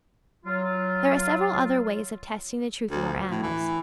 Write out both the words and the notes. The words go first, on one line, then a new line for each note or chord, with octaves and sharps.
There are several other ways of testing the truth of our annals.
F#3 F4
D2
A2
E3